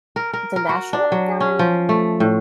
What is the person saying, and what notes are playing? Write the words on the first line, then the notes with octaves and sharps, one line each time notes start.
the National Art Gallery?
A#4
A#4
A#4
F#4
D4
F#3
C#4
F3
A3
A2